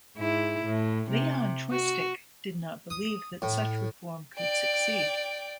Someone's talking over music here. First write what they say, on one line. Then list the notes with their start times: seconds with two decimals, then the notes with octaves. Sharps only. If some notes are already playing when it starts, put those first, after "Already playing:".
Leon Chwistek did not believe that such reform could succeed.
0.17 G#2 E4
0.65 A2
1.10 C3
1.71 F#4
2.90 D#6
3.42 A2
4.36 D5 G5